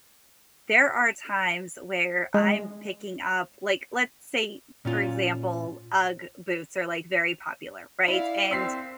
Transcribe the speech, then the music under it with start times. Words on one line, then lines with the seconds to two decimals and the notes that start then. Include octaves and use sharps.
there are times where I'm picking up, like, let's say, for example, UGG boots are like very popular, right? And
2.34 G#3
4.85 A#2 C#4 F4
8.08 E4 D5 F5
8.51 C4 E6 B6 C7